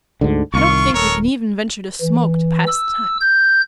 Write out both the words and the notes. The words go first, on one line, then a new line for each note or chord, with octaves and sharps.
I don't think we can even venture to smoke to pass the time.
D2 G#2 D3
C2 D#3 F4 C#6
D#1 A4 A#4 C#5
E3
E6
G6